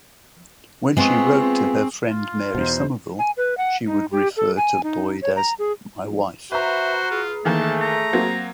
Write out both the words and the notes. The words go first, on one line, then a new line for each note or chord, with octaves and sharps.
When she wrote to her friend Mary Somerville, she would refer to Lloyd as “my wife”.
G#3 B3 C4 F4 G#4 C#6
F4
E2 B2 D#4 C5
G#5
B4
F#5
D#4
G4
A4
G#5
D#4
C#5
A#5
G#4
F#4 B4 C5 E5 A#5
F4 G#4
D#3 E3 A3 A#3 A5
A#5
F#3 A#3 C4